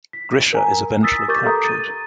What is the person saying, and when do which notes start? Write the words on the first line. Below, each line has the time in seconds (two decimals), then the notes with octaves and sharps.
Grischa is eventually captured.
0.13 B6
0.53 A#4 G#5 A#5
1.03 D#6 E6 A6 B6
1.28 G4 A#4 C#6 D6 G6 A6
1.44 A4 A#5 D#6
1.64 A6 D#7